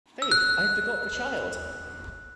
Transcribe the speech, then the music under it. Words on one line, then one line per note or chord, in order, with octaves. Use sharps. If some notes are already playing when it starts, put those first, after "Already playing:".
Faith, I forgot the child!
E6
F#6